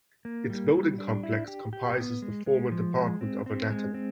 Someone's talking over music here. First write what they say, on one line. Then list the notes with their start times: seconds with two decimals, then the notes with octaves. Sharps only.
Its building complex comprises the former Department of Anatomy.
0.25 A#3
0.50 G3
0.74 G3
0.98 D4
1.23 E4
1.48 G4
1.73 G4
1.98 B3
2.22 G#3
2.46 G#3
2.72 F3
2.96 G#3
3.21 C4
3.46 C4
3.70 G#3
3.94 C4